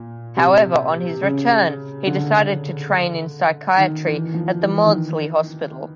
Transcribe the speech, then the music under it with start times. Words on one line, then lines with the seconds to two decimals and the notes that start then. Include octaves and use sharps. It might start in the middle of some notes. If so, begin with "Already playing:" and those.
However, on his return he decided to train in psychiatry at the Maudsley Hospital.
Already playing: A#2
0.37 C3
1.22 C#3
2.07 D3
3.77 D#3
4.06 E3
4.34 F3
4.62 E3
4.85 D#3